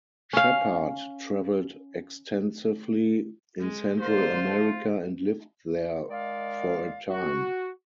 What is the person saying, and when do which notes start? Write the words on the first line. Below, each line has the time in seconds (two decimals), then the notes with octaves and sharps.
Shepard traveled extensively in Central America and lived there for a time.
0.33 C#4 F5
3.60 G#3
4.00 G#2 D3 A#3 F4 C5
4.40 F3 A3
6.09 D#3 G#3 D5 D#5 F5
7.09 F#4